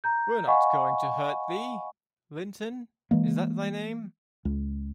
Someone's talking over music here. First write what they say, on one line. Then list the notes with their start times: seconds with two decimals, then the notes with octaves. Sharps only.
We’re not going to hurt thee, Linton — isn’t that thy name?
0.04 A#5 G6
0.47 D#5 F5 F#5 G#5 B5 C#6
3.11 E3 G#3 A#3
4.45 C#2